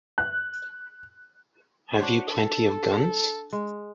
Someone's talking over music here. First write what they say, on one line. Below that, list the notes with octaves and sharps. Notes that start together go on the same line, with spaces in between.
Have you plenty of guns?
F#6
D4 F#4 C5 C#5
A4
G#3